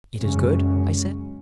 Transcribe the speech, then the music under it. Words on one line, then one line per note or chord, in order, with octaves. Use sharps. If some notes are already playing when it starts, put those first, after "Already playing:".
"It is good?" I said.
F#2 C#3 G#3 C#4